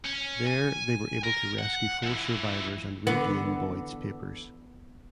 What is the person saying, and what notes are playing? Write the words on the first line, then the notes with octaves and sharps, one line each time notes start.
There they were able to rescue four survivors and regain "Boyd"s papers.
C#4
G#5
A#4
F#5
F3 E4
D3 E3 B3